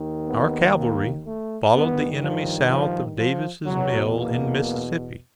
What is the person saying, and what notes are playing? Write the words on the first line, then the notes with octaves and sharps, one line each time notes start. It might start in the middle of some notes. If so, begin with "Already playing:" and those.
Our cavalry followed the enemy south of Davis' mills in Mississippi.
Already playing: D#2 D#3
B3
A#3
A3
G2 D#3 B3
F3
F3
F3
E2 B2 F#3
A#3